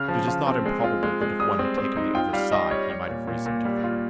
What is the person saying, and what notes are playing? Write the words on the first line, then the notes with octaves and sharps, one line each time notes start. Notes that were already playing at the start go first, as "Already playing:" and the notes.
But it is not improbable that if one had taken the other side, he might have reasoned differently.
Already playing: C#3 F6
F3
F4
C4
G#3
F4
G#3
G#3
G3 D#6
C4
C4
D#4
F4 G5
G3 F5
G3 D#5
G3 C#5
G3 C#5
A#2
A#2
A#2
G3
F4